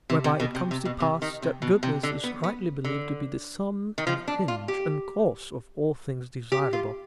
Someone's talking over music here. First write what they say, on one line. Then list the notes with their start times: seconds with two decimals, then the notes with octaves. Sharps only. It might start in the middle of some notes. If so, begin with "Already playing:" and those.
Whereby it comes to pass that goodness is rightly believed to be the sum and hinge and cause of all things desirable.
0.10 C3
0.24 C3
0.40 B2
0.55 C3
0.71 C3
0.85 B2
1.00 C3
1.22 D#3
1.42 C3
1.62 B2
1.83 C3
2.03 D3
2.24 B3
2.44 B3
2.84 D3
3.98 D#3
4.07 F3
4.28 D4
4.48 F4
4.68 G4
6.52 G4
6.73 F4